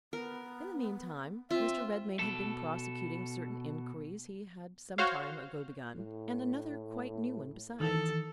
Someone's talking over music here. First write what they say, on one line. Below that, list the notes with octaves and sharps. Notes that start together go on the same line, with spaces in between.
In the meantime Mr. Redmain had been prosecuting certain inquiries he had some time ago begun, and another quite new one besides.
B3 A#4
C4 F4 E5
B2 A4
F#4 C5 C#5 F5
A2
D#3 E3 A4